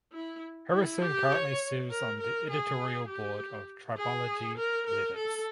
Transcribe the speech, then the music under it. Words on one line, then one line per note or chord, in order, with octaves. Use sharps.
Harrison currently serves on the editorial board of Tribology Letters.
E4
E4
G4
C#5
A#4
A#4
G#4
G4
G#4
A#4
A#4
A4